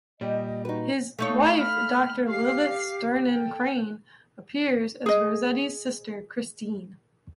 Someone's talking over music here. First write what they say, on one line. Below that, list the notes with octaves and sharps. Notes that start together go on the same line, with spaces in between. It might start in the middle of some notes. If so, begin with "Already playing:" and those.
His wife Doctor Lilith Sternin-Crane appears as Rosetti's sister, Christine.
A#2 G3 G4 D#5
D#4 F#4 B4
A3 D#4 C#5 F5
B5 F6
G4 F5 C7
A4 G5
G#4 D#5